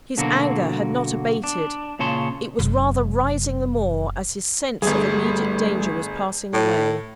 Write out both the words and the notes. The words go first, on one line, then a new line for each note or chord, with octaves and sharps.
His anger had not abated; it was rather rising the more as his sense of immediate danger was passing away.
B2 D3 F#3 A#3 F#4
D4
A#2 C#3 C#5 A5 C6
F#1 C3
G1 G3 A3 G#4
A2